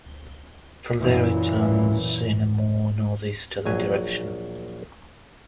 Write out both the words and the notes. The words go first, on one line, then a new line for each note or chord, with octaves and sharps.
From there it turns in a more northeasterly direction.
F#2 A#2 E3
A#1 F#3 G#5